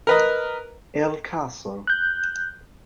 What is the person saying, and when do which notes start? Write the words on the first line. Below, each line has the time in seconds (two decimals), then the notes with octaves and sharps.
El Caso.
0.07 A#4 B4 D#5
1.87 F#6 G6